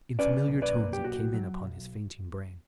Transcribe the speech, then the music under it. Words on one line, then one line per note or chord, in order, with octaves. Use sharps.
In familiar tones it came in upon his fainting brain.
C#4 B4 D5
B1
B4 D5
A#3
G4
B1 F#4
F#3
B1